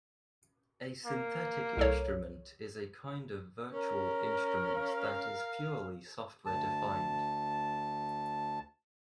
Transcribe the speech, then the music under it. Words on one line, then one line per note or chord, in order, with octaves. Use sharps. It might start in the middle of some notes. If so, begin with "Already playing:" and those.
A synthetic instrument is a kind of virtual instrument that is purely software defined.
A#3
C2 A4 C#5
C#4 A#4
F5
D2 A5